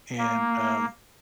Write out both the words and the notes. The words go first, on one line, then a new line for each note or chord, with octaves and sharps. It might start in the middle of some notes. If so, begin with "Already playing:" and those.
and, um,
A#3